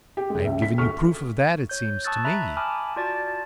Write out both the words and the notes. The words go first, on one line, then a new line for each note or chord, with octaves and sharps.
"I have given you proof of that, it seems to me."
G4
F1 G#3
C#2 E5
B6
D2 C#6 F6
C#5 G6
A5 C#6 D#6 E6 F#6 A6
E5 A#5 B5 F#6
G#5 A5 B5 D6 D#6 F6
F4 F#4 D5 A5 A6